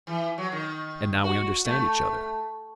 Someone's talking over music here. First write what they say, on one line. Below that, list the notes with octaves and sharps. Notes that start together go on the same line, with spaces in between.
"And now we understand each other."
E3
F#3
D#3
F#4
A3